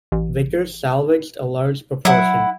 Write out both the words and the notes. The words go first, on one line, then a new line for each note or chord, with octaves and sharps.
Vickers salvaged a large proportion.
A1
F#3 E4 F#5